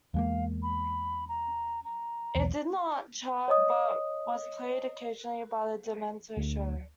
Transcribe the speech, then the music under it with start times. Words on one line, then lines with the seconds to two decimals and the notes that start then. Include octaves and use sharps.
It did not chart but was played occasionally on the Demento show.
0.14 E2 G#3 A#3 F5
0.62 B5
1.28 A#5
1.84 A#5
2.35 B1 E2
3.48 C#5 D#5 D#6
6.37 D2